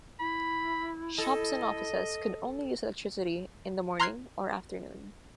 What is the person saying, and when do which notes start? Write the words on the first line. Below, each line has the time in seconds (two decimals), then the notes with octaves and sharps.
Shops and offices could only use electricity in the morning or afternoon.
0.19 E4 B5
1.18 A4 D#5
4.00 A#5 C6 F6 F#6 G#6 C7